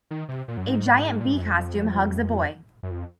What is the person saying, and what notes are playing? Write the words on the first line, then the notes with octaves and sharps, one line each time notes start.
A giant bee costume hugs a boy.
D#3
C3
A#2
F#2
G#2
A#2
G#2
F#2
F2
F#2
F2